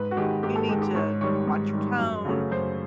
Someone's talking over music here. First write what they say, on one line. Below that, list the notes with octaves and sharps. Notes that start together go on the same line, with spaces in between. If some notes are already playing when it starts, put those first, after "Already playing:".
you need to watch your tone,
Already playing: G#2 B4
F#4
D#3 G#3 G4
G#2 G4
A4
G#3 G4
D#3
G4
G#2 C#5
D#3 G3 C#5
G#2
D#3 G3
F#2
C#3 F#3 A3 C#4
F#2 C5